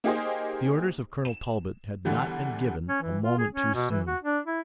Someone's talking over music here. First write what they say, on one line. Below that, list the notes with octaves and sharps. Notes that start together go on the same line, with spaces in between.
The orders of Colonel Talbot had not been given a moment too soon.
A#3 D#4 G4 G#4 C5 D#5
E7
E2 D3 E3 G3
C#4
E3
F4
G#4
C#4
B2
E3
F#4
D4
E4